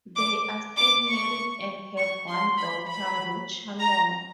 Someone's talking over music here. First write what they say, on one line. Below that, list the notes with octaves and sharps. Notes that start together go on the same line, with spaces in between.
They are still married and have one daughter, Ruth Shannon.
D6
D6
C#6
C#6
C6
B5
B5
A#5